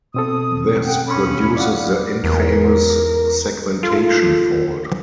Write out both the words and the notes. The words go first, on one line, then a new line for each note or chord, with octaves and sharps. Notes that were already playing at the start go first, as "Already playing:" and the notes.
This produces the infamous segmentation fault.
B2 C4 A4 D#6
F#2 F#5 G5
D#2 C#4 B5
D5 F5 F#5
E2 A#4
F4 A4